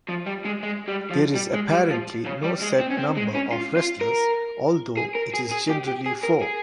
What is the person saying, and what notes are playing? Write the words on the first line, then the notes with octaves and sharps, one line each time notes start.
There is apparently no set number of wrestlers although it is generally four.
F3
G3
G#3
G#3
G3
F3
G3
G#3
G3
F3
C#3
G3
G#3
C4
C#4
C4
G#3
C#4
F4
F4
A#4
G#4
A#4
G#4
G#4
G4
G4
G#4
A#4
G#4